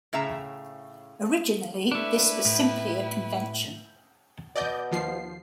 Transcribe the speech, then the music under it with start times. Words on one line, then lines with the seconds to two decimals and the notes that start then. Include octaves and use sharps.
Originally this was simply a convention.
0.13 A2 C#3 E5 A#5
1.92 A3 D4 E4 B4
2.45 A2
4.56 B2 D5 D#5 G6
4.91 D#2 F3 C7